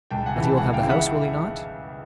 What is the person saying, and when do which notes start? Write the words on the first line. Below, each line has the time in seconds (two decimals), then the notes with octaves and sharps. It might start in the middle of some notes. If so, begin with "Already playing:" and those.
"But he will have the house, will he not?"
0.11 C#2 G5 A5
0.26 F#5 G#5
0.35 C#3 E3
0.43 G5 A5
0.57 C#2 F#5 G#5
0.73 F5 G5
0.81 C#3 E3
0.89 E5 F#5